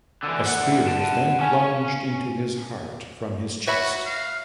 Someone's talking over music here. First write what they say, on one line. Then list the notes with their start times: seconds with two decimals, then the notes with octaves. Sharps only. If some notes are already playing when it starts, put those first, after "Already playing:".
A spear was then plunged into his heart from his chest.
0.24 D3 E3
0.47 D2 F#5
0.88 F#5 A5
1.40 C#4
3.67 F#4 C#5 E5 B5
4.06 F5